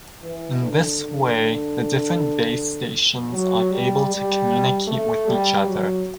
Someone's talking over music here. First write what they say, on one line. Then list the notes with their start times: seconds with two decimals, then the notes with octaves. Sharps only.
In this way the different base stations are able to communicate with each other.
0.22 E3
0.61 D3
1.00 D3
3.33 F#3
3.71 G3
4.10 G3
4.87 A3
5.27 G3
5.66 F#3